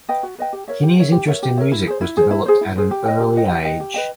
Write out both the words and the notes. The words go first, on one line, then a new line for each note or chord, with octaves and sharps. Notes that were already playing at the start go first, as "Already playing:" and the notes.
Kinney's interest in music was developed at an early age.
B4 D#5 G5
F#4
B4 D#5 G5
G4
A#4 C#5 E5
G4
A#4 C#5 E5
G4
A#4 C#5 E5
G4
A#4 C#5 E5
E4
G#4 C5
E4
G#4 C5
E4
G#4 C5
E4
G#4 C5
G4
B4 D#5 G5
G4
B4 D#5 G5
G4
B4 D#5 G5
G4
B4 D#5 G5